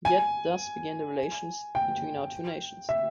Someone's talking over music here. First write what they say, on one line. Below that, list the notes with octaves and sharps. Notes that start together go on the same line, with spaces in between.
Yet thus began the relations between our two Nations.
G#5
G5
E5